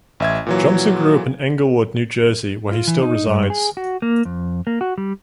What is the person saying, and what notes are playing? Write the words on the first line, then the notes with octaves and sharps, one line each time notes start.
Johnson grew up in Englewood, New Jersey where he still resides.
A1 E5 G#6
A#2 E3 F#3
F4
E3
D#4
G2
G#4
F#4
A#3
F2
A#3
F#4
G3